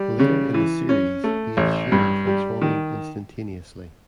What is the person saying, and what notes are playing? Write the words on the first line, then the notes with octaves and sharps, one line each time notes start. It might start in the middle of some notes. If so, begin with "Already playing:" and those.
Later in the series he is shown transforming instantaneously.
Already playing: G3
C#3
E3
C#4
A3
A1
G2
G3
D#3